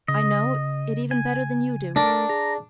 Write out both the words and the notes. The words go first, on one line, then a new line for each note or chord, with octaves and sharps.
I know it even better than you do.
C#3 D#5
G#5
A3 D4 A#4
G#4 A#5